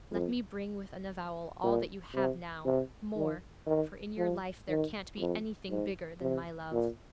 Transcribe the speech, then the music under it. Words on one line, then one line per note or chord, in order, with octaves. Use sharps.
'Let me bring with an avowal all that you have now, more!--for in your life there can't be anything bigger than my love.
F2
A#2
C3
C3
D#3
D#3
F3
D#3
F2
G#2
C3
A#2